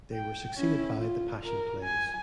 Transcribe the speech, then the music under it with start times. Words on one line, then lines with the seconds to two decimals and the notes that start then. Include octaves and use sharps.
They were succeeded by the Passion Plays.
0.13 G5
0.57 C#4 E4
0.97 F4
1.45 A#4
1.83 G#5